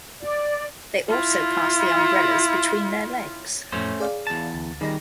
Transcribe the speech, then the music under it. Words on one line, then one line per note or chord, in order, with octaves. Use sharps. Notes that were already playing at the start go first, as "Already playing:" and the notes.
They also pass the umbrellas between their legs.
D5
E4 F4
F2 A2 A3 C#4 C5
G#4 D5 F5
E2 A5
D2 A6
D#3 G3 G#4 D#5 A#6